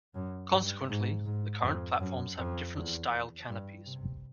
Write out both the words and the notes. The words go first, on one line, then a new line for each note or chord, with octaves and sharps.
Consequently, the current platforms have different style canopies.
F#2
G2
G#2
G#2
F2
F#2
F2
E2
G2
C3